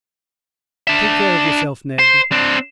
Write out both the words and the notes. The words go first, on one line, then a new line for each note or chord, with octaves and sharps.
"Take care of yourself, Ned."
D4 E5
C5
C4 D4